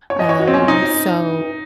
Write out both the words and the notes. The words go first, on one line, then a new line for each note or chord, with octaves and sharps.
um, so,
C#5
D#5
C#5
F#4
C4
C#4
D#4